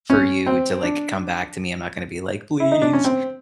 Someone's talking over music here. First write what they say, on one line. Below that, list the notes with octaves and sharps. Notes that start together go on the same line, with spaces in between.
for you to, like, come back to me. I'm not gonna be like, 'please.'"
C#4
C4
D4
E4
D#4
D4
C#4
C4